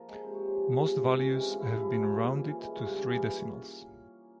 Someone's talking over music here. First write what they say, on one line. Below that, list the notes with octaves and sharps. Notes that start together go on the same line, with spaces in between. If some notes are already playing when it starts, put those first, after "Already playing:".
Most values have been rounded to three decimals.
Already playing: F3 A#3 F4 A#4
G#3
C3 C5
C3 C#5
C5
F3
G#3
C3
C3
E3 C#4
G#3 C4
C#4
G2 F4
E4
G2 F4
F3 E4
C#4
G#3
C#4
A#2
A#2
E3
G#3
G2 C#4
F4
G2 G4
E3 G#4
A#3
F4
C#4